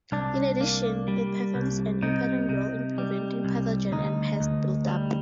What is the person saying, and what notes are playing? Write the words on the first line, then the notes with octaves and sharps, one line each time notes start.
In addition, it performs an important role in preventing pathogen and pest build-up.
C2 D4
A#3
G3
C2
C3 D#4
C3
G3
C2
D2 D#4
D2
G3